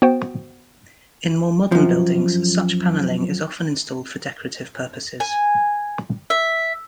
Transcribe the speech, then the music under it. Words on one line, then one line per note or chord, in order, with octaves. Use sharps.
In more modern buildings, such panelling is often installed for decorative purposes.
B3 F#4 C5 G5
F#2 F3
G#5
E5